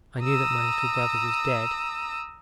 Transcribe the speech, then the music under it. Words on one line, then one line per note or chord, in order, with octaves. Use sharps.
I knew that my little brother was dead.
A#5 D#6 E6